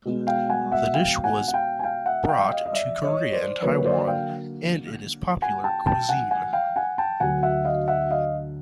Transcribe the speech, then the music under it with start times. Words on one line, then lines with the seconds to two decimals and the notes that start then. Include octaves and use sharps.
The dish was brought to Korea and Taiwan, and it is popular cuisine.
0.05 B2 G#3 B3
0.27 F5 G5
0.50 F#5 G#5
0.72 E5 F#5
0.94 F5 G5
1.24 F#5 G#5
1.48 F#5
1.53 F5 G5
1.79 G#5
1.84 F5 G5
2.06 E5 F#5
2.29 F5 G5
2.51 D#5 F5
2.66 D#5
2.73 D5 E5
3.03 C#5 D#5
3.32 C5 D5
3.62 D3 F#3 A#3 B4 C#5
3.85 C5 D5
4.08 F5 G5
5.42 F#5 G#5
5.64 G5 A5
5.87 G5 A5
6.09 F#5 G#5
6.31 F#5 G#5
6.53 F5 G5
6.76 F#5 G#5
6.98 G5 A5
7.20 D2 D3 F#3 F#5 G#5
7.43 E5 F#5
7.65 D#5 F5
7.88 E5 F#5
8.11 D#5 F5